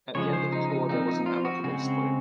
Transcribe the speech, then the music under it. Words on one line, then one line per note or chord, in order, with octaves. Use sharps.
At the end of the tour, there was an amicable split.
C#3 F3 G#3 C#5
C5
D#4
D#4
F3 C4 D#4
D#4
F4
F#4
C#3 G#3 C4 F#4